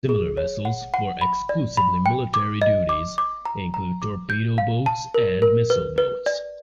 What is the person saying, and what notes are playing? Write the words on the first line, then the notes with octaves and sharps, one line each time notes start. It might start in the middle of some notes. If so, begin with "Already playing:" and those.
Similar vessels for exclusively military duties include torpedo boats and missile boats.
G#4
C#5
F#5
F#5
B5
D5
B5
G5
D6
D#5
D6
D6
A#5
A#5
D6
G6
F5
A5
A#4
A#4
B4
B4
D5